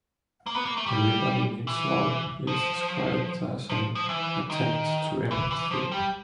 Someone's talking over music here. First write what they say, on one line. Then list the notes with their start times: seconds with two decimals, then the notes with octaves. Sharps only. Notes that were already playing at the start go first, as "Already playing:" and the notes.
"Everybody Needs Love" is described as an "attempt to empathy".
0.47 A#3
0.56 B3
0.66 A#3
0.77 A3
0.86 G3
1.67 E3
2.47 F3
3.70 F3
3.95 F3
4.09 E3
4.50 D#3
5.31 E3
5.51 E3
5.71 F3
5.92 G3